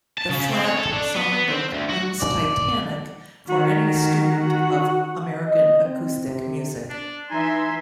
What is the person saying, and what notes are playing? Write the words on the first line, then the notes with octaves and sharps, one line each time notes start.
The Flatt songbook looms titanic for any student of American acoustic music.
A5
C#3
C4
C#5
A4
D4
B3
B3
C4
D2
F#4
D5
D#3 F#4
D#5
C4
C3
D4
E3 D#4 E5 G#5 C6